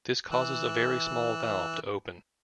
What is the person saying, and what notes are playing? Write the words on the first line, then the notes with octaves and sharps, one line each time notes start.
This causes a very small valve to open.
E3 E6 F#6